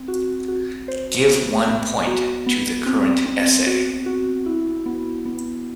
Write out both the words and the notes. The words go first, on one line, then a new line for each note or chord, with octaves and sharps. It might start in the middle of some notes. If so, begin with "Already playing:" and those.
Give one point to the current essay.
Already playing: C4
F#4
F#4
C5
B3
B3
F#4
B3
C4
C4
F#4
F#4
E4
B3
B3